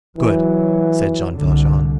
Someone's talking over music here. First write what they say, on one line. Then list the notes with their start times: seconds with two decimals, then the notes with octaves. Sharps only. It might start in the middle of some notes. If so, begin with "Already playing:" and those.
"Good," said Jean Valjean.
0.18 E3 F#3
1.34 C2 D3